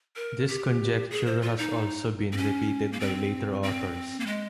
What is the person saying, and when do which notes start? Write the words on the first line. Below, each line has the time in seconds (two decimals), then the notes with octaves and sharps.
This conjecture has also been repeated by later authors.
0.16 A#4
0.48 G4
1.11 G#4
1.26 C5
1.42 F4
1.58 D#4
2.33 C4
2.37 C#4
2.92 A#3
3.00 C4
3.63 C4
4.20 A#3
4.26 G#3